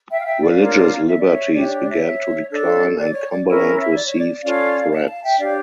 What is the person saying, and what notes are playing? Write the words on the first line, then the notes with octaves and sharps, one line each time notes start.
Religious liberties began to decline and Cumberland received threats.
E5 G5
F5
E5 G5
D5 F5
D4 F4 A#4 C#5
E5
D5
C#5 E5
D4 G4 C#5 D5
E5
D5
D5
C#5 E5
D4 A4 C#5
D5
C#5
D5
C#4 E4 A#4 C#5
C#5 E5
D5
C#5
D5
C#4 F4 A4 C#5 D5 F5
F5 A5
F5 A5
E5 G5
D4 G4 C#5 D5 F5